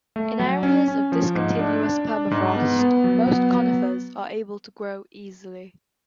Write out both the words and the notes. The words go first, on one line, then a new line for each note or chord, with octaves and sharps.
In areas of discontinuous permafrost, most conifers are able to grow easily.
A3
F#3
C#4
C#4
F3
G#2
D4
D4
D4
G#2
B3
B3
F#3
B3
F#3